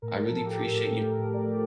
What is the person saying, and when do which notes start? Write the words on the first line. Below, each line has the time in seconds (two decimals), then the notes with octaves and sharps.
I really appreciate you
0.02 A2 A#4
0.24 A4
0.31 F3
0.45 G4
0.60 A2
0.67 A4
0.89 A3 A4
1.12 A#4
1.18 A2
1.34 D5
1.47 F3